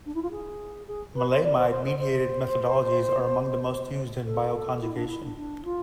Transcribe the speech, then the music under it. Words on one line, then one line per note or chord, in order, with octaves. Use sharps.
Maleimide-mediated methodologies are among the most used in bioconjugation.
D4
E4
F4
G#4
G#4
B4
C5
D5
C5
C5
C5
C5
A4
E4
D4
E4
D4
D4
F4